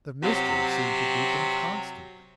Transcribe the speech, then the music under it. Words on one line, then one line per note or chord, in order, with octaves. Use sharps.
The mystery seemed to deepen constantly.
C3 F#3